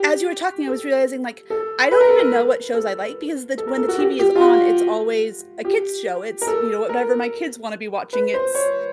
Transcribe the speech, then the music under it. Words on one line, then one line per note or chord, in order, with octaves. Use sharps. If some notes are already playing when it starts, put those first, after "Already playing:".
as you were talking, I was realizing, like, I don't even know what shows I like, because the t when the TV is on, it's always a kids' show. It's, you know, whatever my kids wanna be watching. It's,
Already playing: G4
A4
A4
B4
A#4
A4
A#4
A4
A4
A#4
A4
F#4
G4
G4
F4
F#4
G4
A#4
A4
A#4
B4
C5
C#5